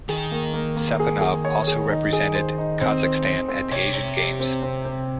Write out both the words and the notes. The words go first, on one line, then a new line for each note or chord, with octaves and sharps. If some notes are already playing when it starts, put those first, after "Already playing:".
Sapunov also represented Kazakhstan at the Asian Games.
D#3 G#4
A#3
A#3
A#3
G#4
G#4
C#5
G#4
D#4
G#4
C5
D#4
C4
C5
C5
C4
C3 C#5
C#5
G4
C4
C4
C4